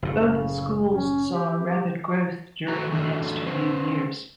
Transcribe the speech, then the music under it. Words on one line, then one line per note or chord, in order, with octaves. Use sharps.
Both schools saw rapid growth during the next few years.
F#1 A2 C#3
C#4
G4
A3 F#4 A#5
E3 A3 D4 F#4
C#4 B4 C5